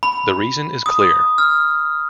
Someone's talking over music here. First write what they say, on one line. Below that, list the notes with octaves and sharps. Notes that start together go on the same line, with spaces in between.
The reason is clear.
B5
D#6
F6